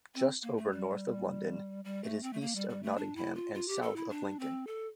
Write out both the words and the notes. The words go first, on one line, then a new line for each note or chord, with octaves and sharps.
Just over north of London, it is east of Nottingham and south of Lincoln.
C4
A#3
A3
G3
G3
A3
C4
A3
A#3
G3
G3
A3
D4
E4
F4
F4
G4
A4
E4
D4
C4
A4